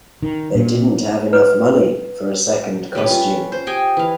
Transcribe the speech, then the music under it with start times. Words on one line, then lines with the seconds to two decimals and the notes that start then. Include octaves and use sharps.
They didn't have enough money for a second costume.
0.22 D#3
0.55 A#2
1.33 B4
2.95 G3 C#4 B4
3.11 F4
3.52 C5
3.67 G4 D#5 G5 G#5
3.97 E3 F5